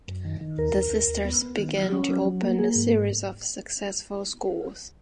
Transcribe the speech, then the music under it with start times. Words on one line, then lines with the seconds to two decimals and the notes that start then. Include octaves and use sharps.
The Sisters began to open a series of successful schools.
0.08 F#2
0.25 D#3
0.41 D#3
0.58 D#2 A#4
0.75 D#2
0.92 D#2
1.08 D#2
1.25 B3
1.42 B3
1.58 D#3
1.75 F#3
1.92 C#4
2.09 F#3
2.25 F#3
2.42 A#3
2.59 A#3 G#4
2.76 G#2